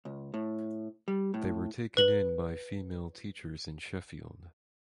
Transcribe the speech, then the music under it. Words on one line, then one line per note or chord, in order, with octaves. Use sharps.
They were taken in by female teachers in Sheffield.
C#2
A2
G3
A2
B4 F#7